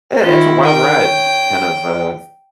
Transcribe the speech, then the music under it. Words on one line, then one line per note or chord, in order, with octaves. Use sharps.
eh it's a wild ride kind of, uh,
D#3 E4 F4
A#4 G5
C#5